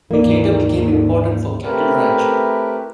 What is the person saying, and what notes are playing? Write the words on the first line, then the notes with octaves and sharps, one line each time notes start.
It later became important for cattle ranching.
D#2 G#2 D#3 E3 A#3 D5
A3 C4 E4 G4 A#4 B4